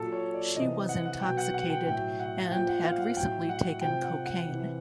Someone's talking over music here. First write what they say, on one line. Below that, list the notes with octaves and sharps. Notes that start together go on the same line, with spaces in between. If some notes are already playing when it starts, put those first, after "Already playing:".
She was intoxicated and had recently taken cocaine.
Already playing: A#2 F#3 A4
C#5
D5
C3 E3 D#5
F#5
F#5
B2 F#3 G5
F#5
F#5
G5
A2 F#3 G5
F#5
A#2 F3 G5
F#5
F5
F#5
A2 F#3 G5
F#5
C3 F3 G5
F#5
F#5
C3 E3